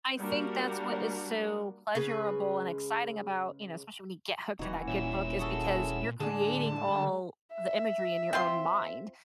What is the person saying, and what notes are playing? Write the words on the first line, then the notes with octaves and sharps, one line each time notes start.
I think that's what is so pleasurable and exciting about, you know, especially when you get hooked in that good book is because you're creating all the imagery in your own mind,
G3 A#3 D4 F#4 A#4
C#3 G#3 B4 G#5
D#1 E3 D#4 F#4
A#2 C#4 E4 E6
F#4 G#4 A4
A2 D3 G#3 D5 A5
E5
C4 F4 C6